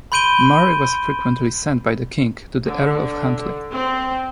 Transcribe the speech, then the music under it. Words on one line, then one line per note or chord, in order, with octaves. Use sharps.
Murray was frequently sent by the king to the Earl of Huntly.
B5 C6 G6 D7 D#7 G7
D3
C4